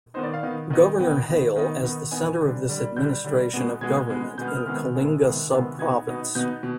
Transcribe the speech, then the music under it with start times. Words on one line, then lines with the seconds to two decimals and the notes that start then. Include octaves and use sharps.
Governor Hale as the center of this Administration of government in Kalinga sub-province.
0.14 D#3 B3 D#4 C5
0.23 D5
0.34 F5
0.43 D#3 B3 D#4
0.70 D#3 B3 D#4
0.99 D#3 B3 D#4 G5
1.28 D#3 B3 D#4
1.56 D#3 B3 D#4
1.84 D#3 B3 D#4
2.11 D#3 B3 D#4 G#5
2.40 D3 G3 D4
2.68 D3 G3 D4
2.96 D3 G3 D4 G6
3.24 D3 G3 D4
3.54 B2 G#3 B3
3.81 B2 G#3 B3 G#6
4.09 B2 G#3 B3
4.38 B2 G#3 B3 G6
4.48 F6
4.56 D#6
4.66 C3 D#3 G#3 B3 F6
4.95 C3 D#3 G#3 B3
5.22 C3 D#3 G#3 B3
5.50 C3 D#3 G#3 B3
5.78 B2 B3 D#4 G#6
6.07 B2 B3 D#4
6.35 B2 B3 D#4 G6
6.63 B2